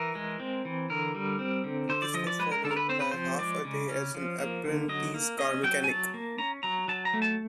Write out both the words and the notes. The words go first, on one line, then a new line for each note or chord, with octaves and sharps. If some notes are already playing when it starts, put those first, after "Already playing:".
This was followed by half a day as an apprentice car mechanic.
Already playing: E3 A#4
G#3
C4
E3
D3 A#4
G3
C4
D3
D3 C5
D5
F3 D#5
D5
G#3 B4
A#4
D3 A4
A#4
B4
C4 C5
B4
F3 C5
G#3 D5
C#3
C#4
F3
A#3
D3
F#3 D#5
A#3
C#4 D#5
F#3 G5
G#5
F#3 A5
A#3
C#4 A#5
F#3 A#5
F#3 A5
A#5
A3
A5